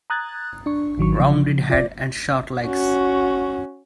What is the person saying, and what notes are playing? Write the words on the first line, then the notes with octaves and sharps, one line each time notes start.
Rounded head and short legs.
A#5 D#6 F#6 G#6 A6
D4 C#6
A1 D#3 F#3 C#6
C#3 F3
F4 D5
C#4 F#4